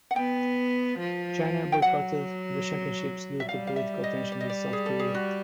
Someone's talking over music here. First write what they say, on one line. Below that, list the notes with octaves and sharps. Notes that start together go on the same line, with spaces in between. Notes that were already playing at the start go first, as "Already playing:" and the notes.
China boycotted the championships due to political tension with South Korea.
F#5
B3 G5
F3
G5
F#3 F#5
E5
G3 F5
F5
E5
D#5
D5
D#5
D5
G#4
A4
G#4
F#4